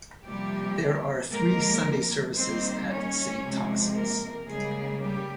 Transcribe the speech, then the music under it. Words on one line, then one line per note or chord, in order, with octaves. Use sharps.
There are three Sunday services at Saint Thomas'.
C3 F3 G3 A#3 G4
A#2 F3 G#3 A#3 A#4
D#3 G3 A#3 C4 C5
C#4 C#5
C3 F3 G#3
A#3 A#4
C#3 G3 G#3 A#3 G#4
G3 G4